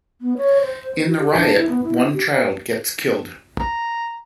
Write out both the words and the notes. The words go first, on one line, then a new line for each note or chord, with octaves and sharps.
In the riot, one child gets killed.
B3
C#5
C5
F#4
G4
D4
E4
B3
E4
G4
A#5